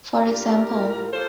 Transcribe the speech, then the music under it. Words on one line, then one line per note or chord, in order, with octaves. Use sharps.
For example.
A2 G3 D4 F4 G4 A#4
A2 F3 A#3 F4
F3 A#3 F4 A4 C5